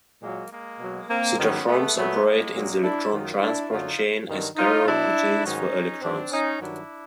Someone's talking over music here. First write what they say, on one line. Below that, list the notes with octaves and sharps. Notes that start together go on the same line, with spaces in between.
Cytochromes operate in the electron transport chain as carrier proteins for electrons.
A#2 F#3 G#3 A#3
G#3 A#3
B2 F#3
A#3 C4
G#2 D#3 F#3 B3 C#4
A3 B3
A#2 F#3 A3 B3
G#3 A#3
A#2 F#3
D4 E4
F#2 D#3 F#3 D#4 F4
D4 E4
F#2 D3 F#3 D#4 F4
G2 D#3 F#3
D#4 F4
B2 F#3 D4 E4
G#2 D#3 F#3 C#4 D#4
G#2 D#3 F#3 C4 D4
C#4 D#4
G2 D#3 F#3 D4 E4